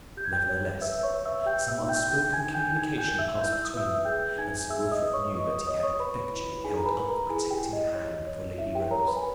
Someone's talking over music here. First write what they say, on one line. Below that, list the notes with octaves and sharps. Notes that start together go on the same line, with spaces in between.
Nevertheless, some unspoken communication passed between them, and Sir Wilfrid knew that he had effectually held up a protecting hand for Lady Rose.
G4 G6
G#6
G5 G6
C#5
B4 E5 E6
C#5 C#6
B4
E5 E6
G4 G5 G6
E5 E6
D#4
G5 G6
G4 G5 G6
G#5 G#6
D#4
G5 G6
D#4 G#5 G#6
G5 G6
A#4
E5 E6
E4 G6
E6
D#6
B4 E5 E6
G#4 G5 G6
D#4 G#5 G#6
G#4 E5 E6
D#5 D#6
B4
C#5 C#6
G4 D#5 D#6
C#5 D#5 D#6
C#5 C#6
B4 C#5 B5
E4
D#4 G#4 G#5
A#5
B4 B5
A#4
A#4 A#5
E4 G#4 G#5
G4 G5
E4
D#5
C#5
C#5
E4 E5
G4 G5
A#4 C#5 A#5
B4 B5
G#5